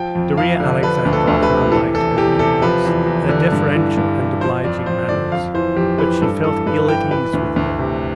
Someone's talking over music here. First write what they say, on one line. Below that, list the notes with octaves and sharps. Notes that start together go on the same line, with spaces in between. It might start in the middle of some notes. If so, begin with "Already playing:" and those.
Darya Alexandrovna liked her neatness, her deferential and obliging manners, but she felt ill at ease with her.
Already playing: F3 G5
F2
F2 F5
D3
F3 B4
D2
A4
D2
B4
C3
E3 A4
E2 A4
E2 G4
C3 A4
F3 B4
E2
E2
D3
G2
E3
G2
E3
F3 C5
F2 D5
F2 C5
D3 D5
F2 F5
E3 C5
F2 G4
E3 B4
G2 A4
E3 A4
G2 B4
E3 G5
E3 B4
D2
D2
C3